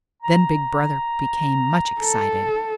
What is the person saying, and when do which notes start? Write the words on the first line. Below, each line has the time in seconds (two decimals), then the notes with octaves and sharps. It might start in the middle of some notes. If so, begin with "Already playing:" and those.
Then Big Brother became much excited.
0.22 A#5
2.01 A4